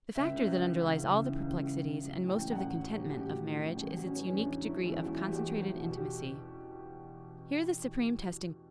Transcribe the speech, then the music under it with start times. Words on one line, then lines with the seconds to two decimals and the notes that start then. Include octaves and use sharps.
The factor that underlies all the perplexities, and most of the contentment, of marriage is its unique degree of concentrated intimacy. Here the supreme testing always comes.
0.15 C#2 E5
0.31 C#3
0.46 C#2
0.63 E3
0.78 C#2
0.94 C#2
1.10 C#3
1.25 E3
1.41 C#2
1.56 C#2
1.72 C#2
1.88 C#2
2.04 F#3
2.19 A2
2.28 G5
2.35 A1
2.51 A1 F#5
2.67 F#3
2.81 F#3
2.98 F#3 G4
3.09 A1 F#4
3.21 G4
3.30 A2 F#4
3.44 A2
3.61 A2
3.77 A1
3.92 F#3 F#4
4.04 F#3 C#4
4.15 B3
4.24 E2 C#4
4.39 E2 D4
4.54 F#3
4.63 E4
4.71 E2
4.86 E2 E4
5.00 E2 F#4
5.14 E2 E4
5.26 G4
5.32 E2 F#4
5.49 F#3
5.56 F#4
5.64 E2
5.80 B2 F#4
5.92 G4